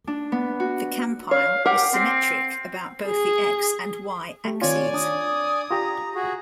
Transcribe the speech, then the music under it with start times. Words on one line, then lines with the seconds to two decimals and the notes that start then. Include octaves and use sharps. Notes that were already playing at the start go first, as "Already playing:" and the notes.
The Kampyle is symmetric about both the "x"- and "y"-axes.
0.07 D4
0.32 B3
0.60 F#4
1.31 C#5 F5
1.66 G4 A#4 F#5
1.94 C4
3.06 G#4
4.45 A3 G4
4.62 D#3 C4 F4 C#5 D5 G#5
4.94 D4 D#6
5.71 F4 G4 A#5
6.15 F#4 G#4